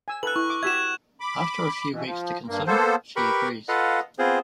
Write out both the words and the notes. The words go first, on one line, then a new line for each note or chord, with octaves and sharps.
After a few weeks to consider, she agrees.
G#5 E6
A4 B4 F#6 F#7
E4 C#6
D6
F#4 G4 E5 G#6 E7
B5 D6
B2 E3
F3
G2 A#3
A#3 B3 A4 C5
G4 A#4 B4 B5 C#6
F4 A4 B4 D#5 F5 F#5
B3 C4 F4 G#4 C5